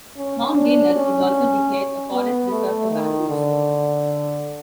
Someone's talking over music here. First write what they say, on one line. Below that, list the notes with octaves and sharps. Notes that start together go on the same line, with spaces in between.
Mount Girnar is also declared a forest reserve for Bamboos.
C#4
D4
C#4
B3
A3
D#3
D3